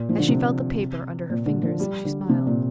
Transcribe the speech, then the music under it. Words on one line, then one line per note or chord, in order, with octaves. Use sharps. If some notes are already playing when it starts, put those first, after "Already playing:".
As she felt the paper under her fingers she smiled.
Already playing: A#2
F3
D3
C3
A#2
D3
F3
G3
D3
C3
A#2